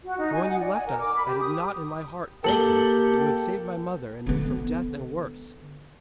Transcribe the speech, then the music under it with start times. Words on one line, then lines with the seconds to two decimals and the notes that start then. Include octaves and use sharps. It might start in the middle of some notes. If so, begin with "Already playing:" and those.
'For when you left us I did not in my heart thank ye that you had saved my mother and me from death and worse.
0.04 F#4
0.19 D#4
0.34 G#5
0.46 F#5
0.59 D5
0.74 G#5
0.87 A#4
1.00 D6
1.15 B5
1.26 G4
1.39 D#6
2.44 A#3 G4 A4 F#7 G7
4.26 D3 B3